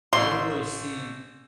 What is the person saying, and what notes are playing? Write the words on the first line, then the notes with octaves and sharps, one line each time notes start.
you don't really see
A1 C6